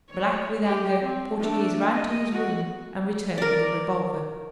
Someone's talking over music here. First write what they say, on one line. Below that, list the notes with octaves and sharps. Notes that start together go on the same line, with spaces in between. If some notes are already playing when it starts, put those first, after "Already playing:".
Black with anger, Portoghese ran to his room and returned with a revolver.
C#5
G4
C4
A3 D4
D#5
B3 F#4
A#4 D5